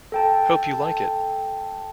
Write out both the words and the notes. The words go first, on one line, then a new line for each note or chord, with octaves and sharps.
Hope you like it.
A4 G5 A5